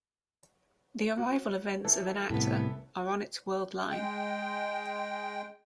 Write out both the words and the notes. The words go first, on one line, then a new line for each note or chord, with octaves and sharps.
The arrival events of an Actor are on its world line.
F#4
E3 A4
C2 A2 B3
G#3 G5